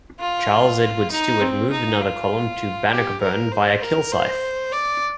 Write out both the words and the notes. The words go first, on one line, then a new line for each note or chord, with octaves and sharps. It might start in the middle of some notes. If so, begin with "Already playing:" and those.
Charles Edward Stuart moved another column to Bannockburn via Kilsyth.
F4
D#4
C4
D#4
F4
G4
A#4
C5
A#4
C5
D5